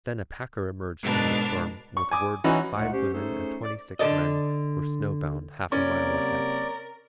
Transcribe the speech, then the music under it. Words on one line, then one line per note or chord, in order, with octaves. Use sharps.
Then a packer emerged from the storm with word that five women and twenty-six men were snowbound half a mile ahead.
G#2 B2 D4 A#4 A5
C#6
G#5 D6 D#6
E3 C#4 D#4 F#4
D2 A#2 G#3 A3 D#4 F#5
C#4 G4 C5
A3 C#4 D#4 G#4 A4 C5
D5
D3 A4 D5 D#5
C3 F#3 A#3 C#4 A#4 D5